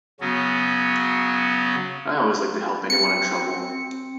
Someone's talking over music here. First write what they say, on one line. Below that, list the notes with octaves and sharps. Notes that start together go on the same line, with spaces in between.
I always like to help anyone in trouble.
C#3 F#3 B3 C#4 F#4
C4 C#7